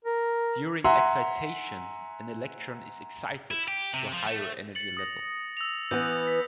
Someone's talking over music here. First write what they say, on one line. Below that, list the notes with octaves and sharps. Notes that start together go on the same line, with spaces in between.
During excitation, an electron is excited to a higher energy level.
A#4
E5 F#5 G#5 A#5 C6
E4
G4
C3
F3
A3
A6 C#7 F#7
D#6 A#6
E6 F7
E3 B3 B4 G6
B6